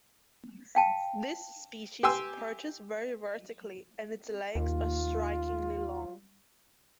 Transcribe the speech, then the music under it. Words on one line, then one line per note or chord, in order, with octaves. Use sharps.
This species perches very vertically, and its legs are strikingly long.
F5 G5 A5
G4 G5 G#5 C6 E6
D#2 F4